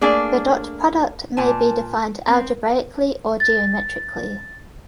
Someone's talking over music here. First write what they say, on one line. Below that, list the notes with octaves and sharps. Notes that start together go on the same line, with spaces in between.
The dot product may be defined algebraically or geometrically.
A3 A#3 D4 G#4 D5
A#2 G#5 A5
C4
A6